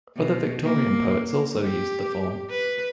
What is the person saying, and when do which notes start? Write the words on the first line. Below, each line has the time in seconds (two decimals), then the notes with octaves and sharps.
Other Victorian poets also used the form.
0.16 B2
0.63 A#3
1.62 G4
2.50 B4